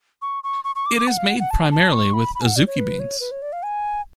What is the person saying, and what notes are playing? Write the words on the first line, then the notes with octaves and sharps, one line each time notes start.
It is made primarily with azuki beans.
C#6
C#6
C#6
C#6
D6
D6
F#5
F5
F#5
F#5
A5
A5
C#6
B5
B5
G#5
F#5
D5
C#5
B4
C#5
B4
C#5
D5
F5
G#5